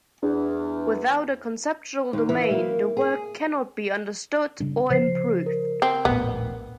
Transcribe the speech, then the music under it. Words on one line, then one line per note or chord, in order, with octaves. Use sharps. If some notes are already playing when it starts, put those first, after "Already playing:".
Without a conceptual domain, the work cannot be understood or improved.
E2 D4
D#2
E3
A#3
G#4
C#3 G3 D4
C#3 F3 C5 C7
A#4
C4
D#1 A#1 A2 B3